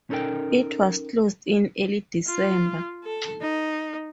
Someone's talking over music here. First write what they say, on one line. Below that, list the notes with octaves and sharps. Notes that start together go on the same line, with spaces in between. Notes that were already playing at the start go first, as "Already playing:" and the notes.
It was closed in early December.
C#4 D#4 A4 A#4 G5
F4
A4
D#4